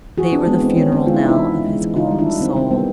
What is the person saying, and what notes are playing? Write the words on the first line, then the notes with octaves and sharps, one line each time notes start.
They were the funeral knell of his own soul.
E3 F#4 G#4
E3 C4 D4
G#3 B3
B3 C4
E3 B3 C#4
B3 C4 D4
G#3 F4
E4
B3 D#4
D4 E4
E3
E3
G#3
E3
D#3 D#4 F4
G3
D4 E4
G3
D#3 C4
D#3 C4
G3 B3